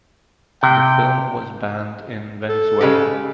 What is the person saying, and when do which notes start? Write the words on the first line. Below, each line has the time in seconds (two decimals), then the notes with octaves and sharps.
The film was banned in Venezuela.
0.63 C3 G5
2.49 A4
2.81 C#3 G#3 G4